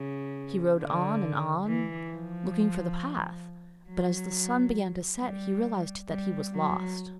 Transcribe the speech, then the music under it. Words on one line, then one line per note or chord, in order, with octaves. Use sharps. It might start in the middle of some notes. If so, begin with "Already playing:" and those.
He rode on and on, looking for the path, but as the sun began to set he realised that he was lost.
Already playing: C#3
D3
E3
F3
F#3
G3
G3
F#3